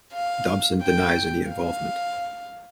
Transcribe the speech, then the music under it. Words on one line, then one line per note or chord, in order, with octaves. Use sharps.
Dobson denies any involvement.
F5
G5
F5